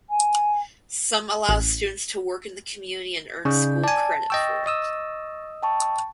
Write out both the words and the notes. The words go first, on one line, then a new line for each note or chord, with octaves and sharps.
Some allow students to work in the community and earn school credit for it.
G#5
A1
C#3 D#4 D5 G6
D5 G#5 A5
D#5 G5 C#6 E6 A6 A#6
D#5 D#6 E6
G5 A5 C#6